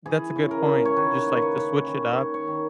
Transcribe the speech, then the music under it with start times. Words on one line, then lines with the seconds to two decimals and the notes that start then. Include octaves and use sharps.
That's a good point. Just, like, to switch it up.
0.06 E3 G#4
0.36 C#3
0.51 A#4
0.66 C#3
0.85 C#5
0.97 D#3 B4
1.27 A#3
1.37 B4
1.42 C#5
1.57 C#4
1.87 D#3 C#5
2.11 C#5
2.18 D#3
2.34 C#5
2.48 D#3